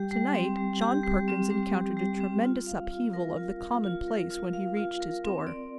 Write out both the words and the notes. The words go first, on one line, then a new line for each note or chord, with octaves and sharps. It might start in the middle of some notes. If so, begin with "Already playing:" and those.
To-night John Perkins encountered a tremendous upheaval of the commonplace when he reached his door.
Already playing: G3 G4
G3
C4
G3
G4
G3
C4
G3
G4
G3
C4
F4
F5
F4
A#4
F4
F5
F4
A#4
F4
F5
F4
A#4
C4
D5